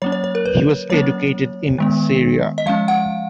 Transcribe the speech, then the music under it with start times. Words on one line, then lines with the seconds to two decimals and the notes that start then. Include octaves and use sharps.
He was educated in Syria.
0.02 F#3 A#3 C#4 C#5
0.12 C#5
0.24 C#5
0.35 A#4
0.46 B4
0.90 F#3 A#3 C#4 C#5
1.78 D#3 G#3 B3
2.58 D#5
2.66 F3 G#3 C#4 F5
2.88 F#5